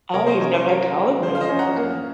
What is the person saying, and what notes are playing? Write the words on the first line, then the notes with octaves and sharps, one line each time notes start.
Oh, you've never had collard greens. Okay.
C3 A#4 C#5
C5 D#5
C#4 A#4 C#5
C5
F#3 A#4
F4
F3 C5
F5
C5 D#5
C#4
F#5 A#5
A#3